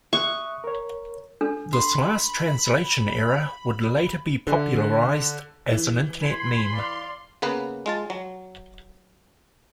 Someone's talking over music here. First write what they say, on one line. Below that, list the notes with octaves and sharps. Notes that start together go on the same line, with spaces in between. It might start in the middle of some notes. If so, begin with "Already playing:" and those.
This last translation error would later be popularized as an internet meme.
E5 C#6 D#6 F#6
A#4 C#5
D4 A4
B5 C6
D3
E3
G#5 B5 C6
D5 F5
C#3 A#3 B3 B4
G#3 F4 A5
F#3